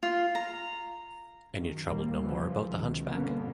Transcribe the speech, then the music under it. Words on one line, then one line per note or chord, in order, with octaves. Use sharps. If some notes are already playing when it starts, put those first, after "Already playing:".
And you troubled no more about the hunchback?
F4
A#5
F#2 D#3
D#2 A#2 D#3 G3 A#3
C#3 E3 F3 G3
C#2 B2 D#3
G1 B2 D3 A#3 B3 C#4